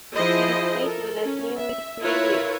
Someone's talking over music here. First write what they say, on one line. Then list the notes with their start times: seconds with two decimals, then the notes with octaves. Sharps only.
She stayed with us nearly three weeks.
0.15 F3 E4 G#4 C5 D#5
0.82 A4 A#4
1.25 C#4
1.56 E5
2.01 E4 F4 A#4 B4 C#5 E5